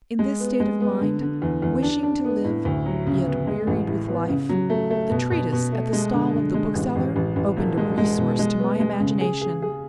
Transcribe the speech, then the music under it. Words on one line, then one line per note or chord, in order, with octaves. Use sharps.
In this state of mind, wishing to live, yet wearied with life, the treatise at the stall of the bookseller opened a resource to my imagination.
G#3
B3
G#3
B3
D3
D3
E2
E2
D4
D4
B3
A2
D2
F#3
C#3
B3
G#3
A1
A2
B3
C#3
F#3
A3
A3
B2
B2
B2
A3
G#3
D3
D3
G#3
A1
A1
A1
A1
E1
G#3
G#3
B2
G#3
B3
G#3
C#3
G#4
G#4
G#4